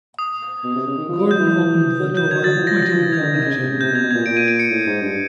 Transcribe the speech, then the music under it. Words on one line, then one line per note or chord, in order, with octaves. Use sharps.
Gordon opened the door and pointed a gun at him.
D#6
B2
C3
C#3
D#3
F3
F#3
G6
E3
F#3
F#3 G6
G#6
F#3 A6
F3
E3
F3 A#6
F#3 A6
F3 A#6
E3
G#6
D3
D#3
C#3
C3
C#3
C3 G6
B2
G#6
B2
A#2 G#6
A#2 D7
D#7
D7
C#7
A2
G#2
G2